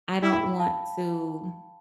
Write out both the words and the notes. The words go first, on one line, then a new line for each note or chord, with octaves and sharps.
I don't want to
E4 G5 B5
F5 A5